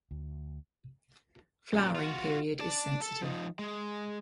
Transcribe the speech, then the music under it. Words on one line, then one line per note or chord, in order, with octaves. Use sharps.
Flowering period is sensitive.
D2
F#2 A#2
F4 F#4
D5 A5
A4
F3 D#4
G#3